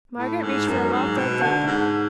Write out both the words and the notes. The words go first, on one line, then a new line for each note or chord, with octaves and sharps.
Margaret reached for a well-filled date-book.
A2
G#2
F#2
G#2
B2
D3
G#2